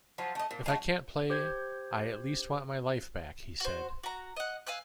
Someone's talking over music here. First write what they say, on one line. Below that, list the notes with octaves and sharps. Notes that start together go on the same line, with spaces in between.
"If I can't play, I at least want my life back", he said.
F3 F#3 F4
A3 D#5
A#2
G#3 A3 F#4
G4 C5 G6 G#6
F#4 C5
F#4 A#5
D#5 F#5
F5 G#5 E6 F#6